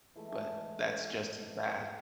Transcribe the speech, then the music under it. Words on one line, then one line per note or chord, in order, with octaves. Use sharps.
but that's just as bad.
E3 G#3 A3